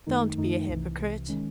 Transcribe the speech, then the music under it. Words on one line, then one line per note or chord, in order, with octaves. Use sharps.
'Don't be a hypocrite.
F#2 D#3 A3 D#4
F#2 D#3 A3 D#4
C2 C3 E3
C2 C3 E3
D#3 G#3 C#4